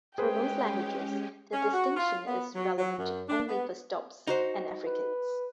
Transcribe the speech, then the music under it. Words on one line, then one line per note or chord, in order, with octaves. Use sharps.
For most languages, the distinction is relevant only for stops and affricates.
G#3 C#4 G4 G#4 B4 C5 G5
C#4
F#4
F4
B3
F#3
F#3
F#2
D4
B3
D#4 F#4 C5
B4